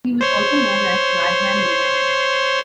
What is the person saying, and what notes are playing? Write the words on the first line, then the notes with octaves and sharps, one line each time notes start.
He was also known as Madman Liang.
C5 C#5 C6